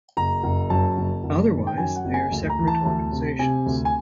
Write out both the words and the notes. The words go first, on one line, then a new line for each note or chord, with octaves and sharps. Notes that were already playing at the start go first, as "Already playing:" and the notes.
Otherwise, they are separate organizations.
F#1 A#5
F#1
F#2 A5
F#1
F#1
D#3
G5
F#2 G#5
F#5
F#1
G#5
D2
A#5
E3
A5
D2 A5
C3
C3 G#5
D2
G#5